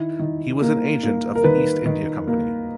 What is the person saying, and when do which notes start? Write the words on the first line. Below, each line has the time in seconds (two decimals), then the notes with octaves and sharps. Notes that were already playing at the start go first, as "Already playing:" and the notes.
He was an agent of the East India Company.
Already playing: D#3 E4
0.19 D#3
0.62 A#3
1.03 A#3
1.35 A#4
1.44 D#3 B4
1.86 D#3
2.27 A#3